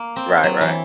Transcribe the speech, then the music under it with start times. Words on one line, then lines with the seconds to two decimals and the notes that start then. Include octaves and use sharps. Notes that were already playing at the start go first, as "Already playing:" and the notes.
Right. Right.
Already playing: A#3
0.16 C4
0.44 F#3
0.61 E3